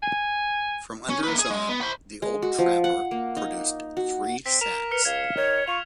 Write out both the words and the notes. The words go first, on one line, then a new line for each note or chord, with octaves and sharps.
From under his arm the old trapper produced three sacks.
G#5
C#4
A#3 B4
G#4
G#3
B3
C5 B5
G#3
F#4
F3
F#5
A#3
D#4
F#4
C4 B6
A#4 E7 F7
B4 F6 C#7
C#2 F5 G#6
D#3 C#5
F4 C#6 F7